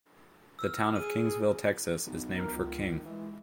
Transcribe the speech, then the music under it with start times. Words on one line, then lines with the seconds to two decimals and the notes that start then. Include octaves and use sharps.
The town of Kingsville, Texas is named for King.
0.59 E6 F6
0.96 G#4 D#7
2.06 B1
2.34 A#4
2.53 C#2
2.89 D#3
3.05 E3 G#3